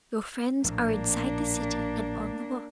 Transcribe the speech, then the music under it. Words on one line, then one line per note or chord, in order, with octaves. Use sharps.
Your friends are inside the city and on the watch.
A#1 A2 A#3 D4